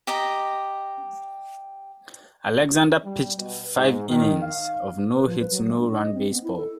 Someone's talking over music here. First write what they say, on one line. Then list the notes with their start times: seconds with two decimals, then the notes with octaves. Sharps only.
Alexander pitched five-innings of no-hit no-run baseball.
0.07 G4 D#5 A#5
3.05 G3
3.39 B2
3.77 G#2
4.08 D#3
4.42 F5
5.15 B4
5.26 F3
5.39 B4
5.50 F#3
5.67 A3
5.79 D4
5.95 D#5
6.14 C4
6.31 B3
6.44 E4
6.57 A4